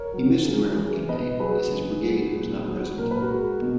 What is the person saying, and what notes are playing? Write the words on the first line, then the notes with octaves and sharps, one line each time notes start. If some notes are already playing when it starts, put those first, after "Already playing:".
He missed the Maryland Campaign as his brigade was not present.
Already playing: A#4 C#5
F#3
C#3
E3 G#3
B2 B4 D#5
F#3 G#4 B4
C#3
F#3
A#2
F#3
A#2 A#4
B4
F#4 A#4
G#3
B2